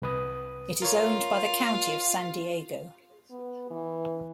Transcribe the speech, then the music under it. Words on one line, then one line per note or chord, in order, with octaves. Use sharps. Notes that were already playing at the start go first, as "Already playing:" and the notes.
It is owned by the County of San Diego.
C2 B4 D#6
F4 A#4 C#5
B3
E3